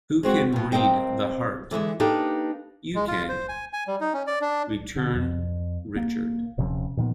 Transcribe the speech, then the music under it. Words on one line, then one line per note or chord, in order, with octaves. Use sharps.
"Who can read the heart?" "You can," returned Richard.
G#3 C4 F#4
G2 B2
G2 C4 A#4 D#5 G5
D3 E3 G#3 E5
A#3 D4 D#4 G4 A4 B4
G#3
F4
C5
G#5
G#5
G3
D#4
C#4
D5
D4
D3
F2
A#3
D#1 C3 F3 C#4
A#2 D#3 F3 B3